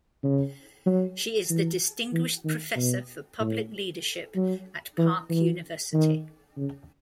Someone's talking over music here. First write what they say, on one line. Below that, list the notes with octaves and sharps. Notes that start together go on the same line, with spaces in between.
She is the Distinguished Professor for Public Leadership at Park University.
C#3
F#3
E3
E3
D#3
B2
A2
F#3
E3
E3
D#3
C#3